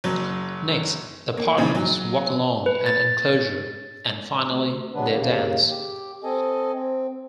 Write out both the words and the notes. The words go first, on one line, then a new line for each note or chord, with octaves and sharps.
Next, the partners walk along an enclosure, and finally they dance.
F#1 F#3
A#3
A#2 C#3 E3 D#4
F#3
B4
A6
D2
F#3 G#3 B3 D4 B4
D#2 C#3 A#3
G4
C4 A4 D#5 G#5
C4